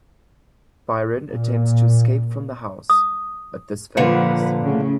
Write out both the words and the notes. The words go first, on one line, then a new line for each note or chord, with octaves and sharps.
Byron attempts to escape from the house, but this fails.
A#2
D#6
A#2 D3 F3 B4 F#5
A2 C#3